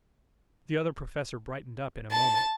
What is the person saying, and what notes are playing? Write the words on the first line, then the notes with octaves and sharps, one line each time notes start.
The Other Professor brightened up in a moment.
A5